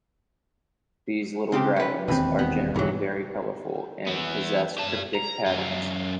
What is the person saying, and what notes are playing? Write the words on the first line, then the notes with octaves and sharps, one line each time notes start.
These "little dragons" are generally very colorful and possess cryptic patterns.
C#3 C4 G4
C#4 B4
E1 D#2 C4 B4
B3
B1 G#2 E3 F#3
E3 B3
G4 A5
A#5
F#2 F4